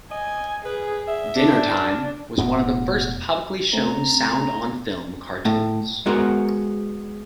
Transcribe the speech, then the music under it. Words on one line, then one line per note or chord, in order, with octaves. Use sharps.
"Dinner Time" was one of the first publicly shown sound-on-film cartoons.
D#5 G#5
G#4 B4
E5
D4
E1 A2 B3
A3 C4 C#4 A#5
A2
G#3 B3 F#4 A#4 C5